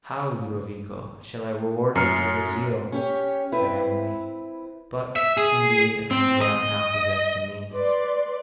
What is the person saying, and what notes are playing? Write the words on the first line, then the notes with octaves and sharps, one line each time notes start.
'How, Ludovico, shall I reward you for your zeal?' said Emily: 'but, indeed, I do not now possess the means.
F#2 A#5 F6 C7 C#7
C#4 G4 C#5
C4 E4 B4
E5
G#4
C4
D#5
B4 D5 C6